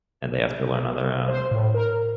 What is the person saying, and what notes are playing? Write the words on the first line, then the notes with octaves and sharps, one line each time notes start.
and they have to learn on their own.
C5
A2
A#4